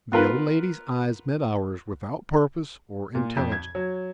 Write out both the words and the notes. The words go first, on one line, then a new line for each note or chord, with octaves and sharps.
The old lady's eyes met ours without purpose or intelligence.
B3 F4 A#4 B4
A#2
F2
G#6
F#3